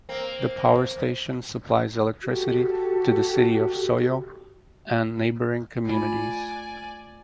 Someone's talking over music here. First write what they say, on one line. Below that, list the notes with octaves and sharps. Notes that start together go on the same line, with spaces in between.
The power station supplies electricity to the city of Soyo and neighboring communities.
A#3 C4
F#4 G4 A4
A3 F4 D5 G#5 B5